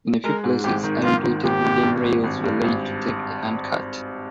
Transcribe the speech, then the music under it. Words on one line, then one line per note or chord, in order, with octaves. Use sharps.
In a few places iron-plated wooden rails were laid to take a handcart.
G#3 A#4
G#2
G#1 G4
D#3
D#3 F4
D#3
G#1 G4
G#1
G2
G#1
G#1
G2
G#1